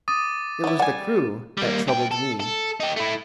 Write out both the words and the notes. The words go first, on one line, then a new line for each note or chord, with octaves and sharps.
It was the crew that troubled me.
D6 D#6 A6 D#7
B3 E4 C5 C#5
G3 B4 F#5 G#5
G3 A#3
G2 G5
A4
A4
D#4 G4
A3 E4